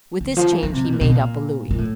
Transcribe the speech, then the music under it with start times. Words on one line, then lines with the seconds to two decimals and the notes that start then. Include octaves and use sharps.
With this change, he made up a louis.
0.21 D3
0.37 F3
0.52 E3
0.63 E3
0.73 C3
0.84 B2
0.92 A#2
1.01 B2
1.15 A#2
1.71 A#2
1.78 A2